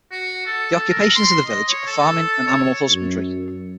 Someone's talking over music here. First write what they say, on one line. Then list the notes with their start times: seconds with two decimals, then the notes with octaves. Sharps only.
The occupations of the village are farming and animal husbandry.
0.11 F#4
0.46 A4
0.88 A#4
1.15 C6
1.46 D#5
1.69 C#5
1.87 A4
2.47 C#5
2.91 F#2